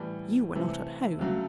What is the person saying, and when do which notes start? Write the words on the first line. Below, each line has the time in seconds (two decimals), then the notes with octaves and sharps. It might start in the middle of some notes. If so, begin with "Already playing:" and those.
You were not at home.
Already playing: A2 E3 G3
0.55 C3 E3 A3
1.19 D2 C#3 F#3 A3